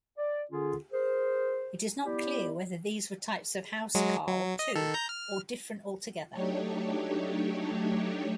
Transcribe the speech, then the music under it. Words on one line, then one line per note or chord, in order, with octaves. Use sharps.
It is not clear whether these were types of "housecarl" too or different altogether.
D5
D3 C#4 F4 G#4
G#4 A#4 C5
B3 E4 G4 D5
F#3 G#3
F#3
D#5
D#3 A4
A#5 G6
F6
F#3 A3 D4 D#4 G4 C#5